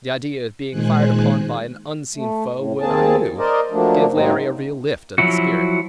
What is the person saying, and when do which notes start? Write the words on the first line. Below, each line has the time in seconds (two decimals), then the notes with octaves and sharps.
The idea of being fired upon by an unseen foe would, I knew, give Larry a real lift of the spirit.
0.70 A#2 D#3 G#3 C5 G#5 F#6
2.15 A3
2.54 A2
2.80 D#2 A#3 C4 G#4 A5
3.38 A#4 C5 D5 D#5
3.71 F3 F#3 A3 A#3 D4
4.12 G#2 C3 F#3 A#3 C4 D#4
5.18 F3 F#3 E4 F#4